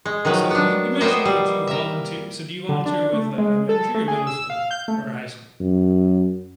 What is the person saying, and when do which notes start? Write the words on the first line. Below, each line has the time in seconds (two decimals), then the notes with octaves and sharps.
So you you mentioned that you volunteered so, do you volunteer with, like, elementary or middle school or high school?
0.05 G#3
0.25 D#3 F3 F#3 B4
0.50 B3 D4
1.00 A#3 B3 C5 D#5 E5 G5
1.25 G3
1.67 A#4 E5
2.69 D3
2.86 D4
3.13 A3
3.38 G#3
3.69 A4
3.95 A3
4.08 G#4
4.27 E6
4.50 F5
4.71 G6
4.88 A3
5.60 F#2